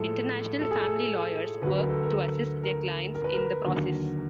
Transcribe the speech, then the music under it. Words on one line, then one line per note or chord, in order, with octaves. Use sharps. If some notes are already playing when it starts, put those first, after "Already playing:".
International family lawyers work to assist their clients in that process.
Already playing: A2 F3 G#3 A4
A4
G#4
A4
D2 D3 F#3 B4
A#4
A4
A#4
A#4
A#4
B4
A#4
D#2 D3 F#3